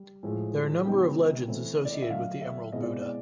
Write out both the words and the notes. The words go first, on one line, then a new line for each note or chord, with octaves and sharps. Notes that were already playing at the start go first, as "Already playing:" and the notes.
There a number of legends associated with the Emerald Buddha.
Already playing: G3
A2 F3 G#3
C#3 F3 G#3 B3 D#4 G5
E3 A3 C4 E4
D5
D#5
E5
D3 F#3 A3 D4 F5
E5
B2 G#3 C4 E4 D#5
D5
D5